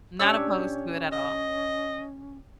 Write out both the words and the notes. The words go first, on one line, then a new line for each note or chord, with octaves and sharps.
Not opposed to it at all.
A#2 C#4 D4 G4 C#5 E6
D#5